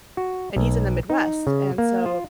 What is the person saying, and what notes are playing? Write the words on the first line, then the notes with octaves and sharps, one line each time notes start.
and he's in the Midwest, and so,
F#4
B1
D#4
C#3
A#3
F4